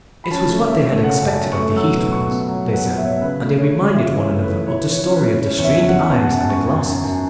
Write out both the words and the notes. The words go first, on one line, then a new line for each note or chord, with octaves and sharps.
It was what they had expected of the Heath twins, they said, and they reminded one another of the story of the strained eyes and the glasses.
B5
C#4 A5
A3
C#4 E5
A3
C#3 F#5
F#2
A5
C#4
C#6
A3
F#3 E6
B2
B2 C#6
B3
F#3
B2
F#5
B3
E5
B2 C#5
E5
C#3 B4
A3
C#3 C#5
C#3
C#3 E5
E3
C#5
A3
B4
E3
E4 C#5
E3
C#5
C#4
B4
E4
C#4 C#5
E2 C#5
E5
C#4
F#5
E2
B3 A5
F#5
F#2 A5
F#2 C#6
F#2
F#2
F#2